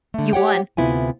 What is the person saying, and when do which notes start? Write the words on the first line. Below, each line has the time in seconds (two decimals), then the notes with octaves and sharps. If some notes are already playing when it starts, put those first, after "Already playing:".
You won.
0.14 D3 A3
0.33 G4 C#5 F#5 G5
0.77 D2 C3 B3 E4 F4 G#5